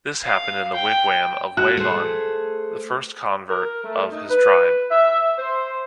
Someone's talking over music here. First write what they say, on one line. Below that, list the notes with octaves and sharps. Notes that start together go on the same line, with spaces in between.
This happened in the wigwam of Waban, the first convert of his tribe.
F5
G5
F#4 F#6
A3 G#4 C5
A#4
A3
D#4
B4
E5
C5